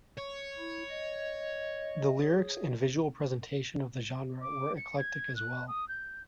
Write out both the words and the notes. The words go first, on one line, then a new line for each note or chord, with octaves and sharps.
The lyrics and visual presentation of the genre are eclectic as well.
C#5
E4
D#5
G#4 C#5
D6
C#7
G#6
F#6
D#6
G6